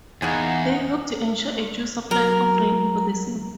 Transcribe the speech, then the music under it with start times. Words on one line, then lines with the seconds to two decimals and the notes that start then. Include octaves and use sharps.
They hoped to ensure a due supply of rain for the seed.
0.22 E2 A#3 D#4 G#4 F#5 G#5
2.11 F#3 A#4